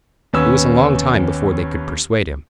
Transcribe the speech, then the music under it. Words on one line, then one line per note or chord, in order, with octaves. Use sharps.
It was a long time before they could persuade him.
D#2 B3 C#4 E6